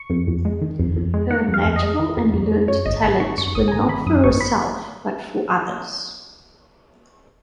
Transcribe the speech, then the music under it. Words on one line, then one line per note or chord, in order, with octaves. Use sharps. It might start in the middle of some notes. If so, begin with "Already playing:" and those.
Her natural and learned talents were not for herself but for others.
Already playing: C#6
F2
F2
G#3
D#3
F2
F2
G#3
D#3 F#5
F2
F5
F2
D#5
G#3
D#3
F2
F2
G#3
F#2 C#5
G#1 D#5
G#1 B5
D#3 C#6
F#2 C#6
G#1 D#6
G#5
G#1 A#5
D#3 B5
F#2 D#6
G#1 C#6
B5